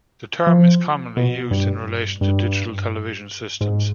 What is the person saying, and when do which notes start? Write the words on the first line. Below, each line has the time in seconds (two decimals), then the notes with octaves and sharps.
The term is commonly used in relation to digital television systems.
0.47 F3
1.17 B2
1.51 G2
2.21 G2
3.61 G#2